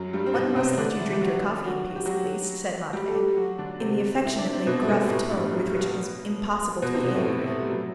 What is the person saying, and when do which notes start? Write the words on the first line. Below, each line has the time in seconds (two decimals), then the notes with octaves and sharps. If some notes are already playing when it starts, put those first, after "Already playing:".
"One must let you drink your coffee in peace, at least," said Matvey, in the affectionately gruff tone with which it was impossible to be angry.
Already playing: F#2 F#3
0.13 G2 G3
0.26 C4
0.34 B2 B3
0.56 C3 C4
0.78 D3 D4
0.99 E3 E4
1.12 G4
1.21 F#3 F#4
1.42 G3 G4
1.64 F#3 F#4
1.86 F#4
1.96 G4
2.05 F#3 F#4
2.93 G3 G4
3.08 A4
3.15 G3 G4
3.37 F#3 F#4
3.58 D3 D4
3.80 C3 C4
4.25 E4
4.38 D4
4.53 C4
4.67 B2 B3
4.82 A3
4.88 B2 B3
5.05 G3
5.09 A2 A3
5.31 G2 G3
5.53 F#2 F#3
5.74 B2 B3
6.82 B2 B3
6.93 C3 C4
7.04 B2 B3
7.15 A2 A3
7.25 A2 A3
7.47 A3
7.59 G3
7.71 F#3